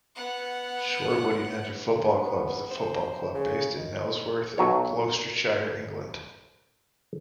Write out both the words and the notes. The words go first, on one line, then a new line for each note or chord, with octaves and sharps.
Shortwood United Football Club is a football club based in Nailsworth, Gloucestershire, England.
B3 F#5
G2
B3
C5
C#3
D#3
B1 F#3 C#5